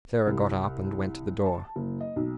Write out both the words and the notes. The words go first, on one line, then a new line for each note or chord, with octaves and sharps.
Sarah got up and went to the door.
C2
A5
F#1
D#5
B1